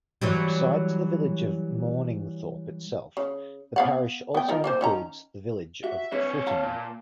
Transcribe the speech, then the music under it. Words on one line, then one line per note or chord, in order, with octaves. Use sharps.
Besides the village of Morningthorpe itself, the parish also includes the village of Fritton.
E3 F#3 G3
C#3
B3 F5 F#5
B3 G5
D#4 F4 A#4
A#3 C4 C5
D#3 C#4 A#5
F#4 E5
C4 B4 C#5
F5 A5
A#2